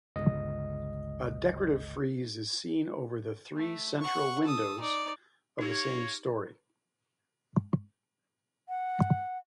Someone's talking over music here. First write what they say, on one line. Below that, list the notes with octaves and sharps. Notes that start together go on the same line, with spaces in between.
A decorative frieze is seen over the three central windows of the same storey.
G1 C#2 D#5
A3
F#5 C#6
A4 D#6
D#4 D5
A#3 D#4 G4 C#5
F#5